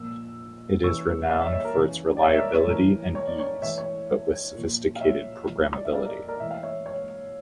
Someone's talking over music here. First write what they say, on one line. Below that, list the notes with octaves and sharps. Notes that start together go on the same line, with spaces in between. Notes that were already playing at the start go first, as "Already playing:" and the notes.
It is renowned for its reliability and ease, but with sophisticated programmability.
Already playing: A#2 F3 E6
C#3 E3 C#6 E6
D5 F5
C#5 E5
C#5 E5
A#4
C#3 E3 C#5
D5
C#5 E5
E5
A#4 D5
C#5
A2 E3 A#4
C#5
D5
C#5
A2 E3 C#5 E5
C#5
A#2 F3
F5
C#5 E5
A2 F3
D5
E5
D5 F5
A#4 D5
A#4 D5
A2 E3 E5
F5
C#5 E5
C#5